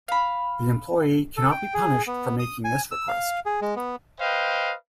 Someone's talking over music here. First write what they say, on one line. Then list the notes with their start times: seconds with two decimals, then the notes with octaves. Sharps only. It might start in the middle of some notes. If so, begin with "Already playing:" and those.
The employee cannot be punished for making this request.
0.08 F5 B5
1.37 A4
1.51 G5
1.74 G#4
2.07 B3
2.39 D#6
2.64 G#5
2.92 E6
3.08 F5
3.46 G#4
3.62 G#3
3.76 B3
4.20 B4 C5 D#5 F5 G5